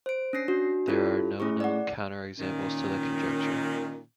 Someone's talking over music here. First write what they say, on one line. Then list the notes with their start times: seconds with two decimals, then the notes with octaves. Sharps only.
There are no known counterexamples to the conjecture.
0.06 C5 D7
0.33 C#4 D4 A#6 C7
0.48 D4 F#4
0.88 C#4 E4 F4 G4 A4
1.40 A3 C#4 E4 G#4 C#6
1.60 D5 F#5
2.39 A#2 D#3 C#4